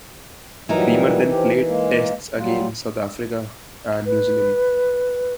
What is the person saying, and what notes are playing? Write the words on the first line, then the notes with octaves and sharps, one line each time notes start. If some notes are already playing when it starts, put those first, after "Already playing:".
Cremer then played Tests against South Africa and New Zealand.
A#2 E3 F#3 G3 D#4 A#4
F3 G4
G#3 A#3
F#3 G3 F4
B4